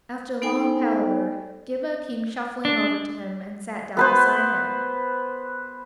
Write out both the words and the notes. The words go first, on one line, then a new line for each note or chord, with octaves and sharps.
After long palaver, Ghibba came shuffling over to him, and sat down beside him.
B3 D#4 A4 C5 G5 G#5
D4
B3 B4 C5